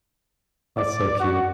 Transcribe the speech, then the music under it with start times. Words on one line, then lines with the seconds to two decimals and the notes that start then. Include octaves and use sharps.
That's so cute.
0.78 D5
1.19 F#4